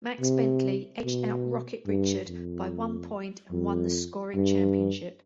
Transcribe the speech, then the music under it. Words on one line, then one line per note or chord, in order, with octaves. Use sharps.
Max Bentley edged out Rocket Richard by one point and won the scoring championship.
C3
B2
G2
F2
F2
G2